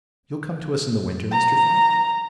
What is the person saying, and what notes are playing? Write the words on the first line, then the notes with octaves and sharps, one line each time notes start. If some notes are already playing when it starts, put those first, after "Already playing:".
"You'll come to us in the winter, Mr. Finn?"
A#5